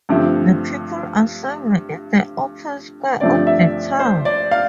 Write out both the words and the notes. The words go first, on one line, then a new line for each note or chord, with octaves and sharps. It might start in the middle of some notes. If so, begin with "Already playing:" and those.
The people assemble in the open square of the town.
G2 D3 F3 A3 C4
G2 D3 F3 A3 C4 D5
E5
C5
D5
F5